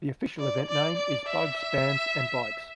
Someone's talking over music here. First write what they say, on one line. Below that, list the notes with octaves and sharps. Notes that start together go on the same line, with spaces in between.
The official event name is "Bugs Bands and Bikes".
D5
D5
D5
E5